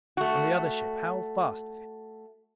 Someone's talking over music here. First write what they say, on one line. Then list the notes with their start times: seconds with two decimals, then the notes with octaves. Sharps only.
"And the other ship--how fast is it?"
0.17 A3 F#4